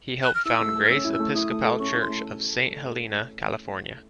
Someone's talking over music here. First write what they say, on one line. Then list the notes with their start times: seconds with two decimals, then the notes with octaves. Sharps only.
He helped found Grace Episcopal Church of Saint Helena, California.
0.23 F#6
0.34 F6
0.45 E4 E6
0.61 A3
0.75 A4
0.84 F6
0.90 C#4 E6
1.04 E4
1.13 E6
1.20 A3
1.35 E4 D#6
1.50 A3
1.64 A4
1.79 C#4 C#6
1.94 E4
2.01 C6
2.09 A3